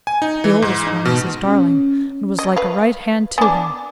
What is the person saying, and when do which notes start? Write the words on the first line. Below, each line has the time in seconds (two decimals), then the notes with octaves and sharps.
The oldest one was his darling, and was like a right hand to him.
0.07 G#5
0.22 D#4
0.44 E3
0.62 G#2
0.87 D#4
1.05 B2
1.45 C#4
2.39 D#5
2.56 B4 F5
3.38 B3 D4 G#5 D6